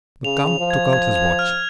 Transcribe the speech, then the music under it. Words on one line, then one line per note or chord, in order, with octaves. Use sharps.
The count took out his watch.
C#3 F7
F7
F3
G#6
G#6
F7
F6